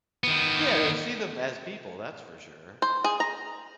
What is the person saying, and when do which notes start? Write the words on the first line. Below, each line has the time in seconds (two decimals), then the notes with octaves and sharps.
Yeah, they'll see them as people, that's for sure.
0.24 D#3 B3
2.82 C5
3.04 G#4
3.20 A#5